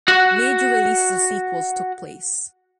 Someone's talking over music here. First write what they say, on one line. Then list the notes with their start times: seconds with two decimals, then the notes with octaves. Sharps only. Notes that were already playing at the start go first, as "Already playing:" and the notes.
Major releases of sequels took place.
0.08 F#4 F#5